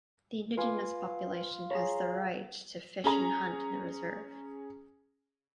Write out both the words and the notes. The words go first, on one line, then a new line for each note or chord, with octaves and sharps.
The indigenous population has the right to fish and hunt in the reserve.
F4 B4 G#5 D6
G#4 C#5 A#5 C6
C#4 G#4 A#5